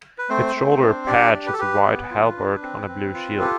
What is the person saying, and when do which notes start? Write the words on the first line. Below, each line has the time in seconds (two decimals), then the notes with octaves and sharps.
Its shoulder patch is a white halberd on a blue shield.
0.18 B4
0.29 A3 C4 C5
0.56 A3
0.81 D4
1.07 D4 G4 D5
1.34 G4
1.46 B4
1.53 A4
1.59 G4 B4
1.85 B3
2.11 F4
2.36 D4
2.62 C4
2.88 C4
3.14 F4
3.41 G4 A4